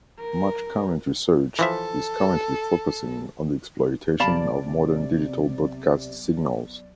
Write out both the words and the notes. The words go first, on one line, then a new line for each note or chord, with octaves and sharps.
Much current research is currently focusing on the exploitation of modern digital broadcast signals.
A#4
E3 F3 A4 E5
B1 C3 D5 F5 A5 B5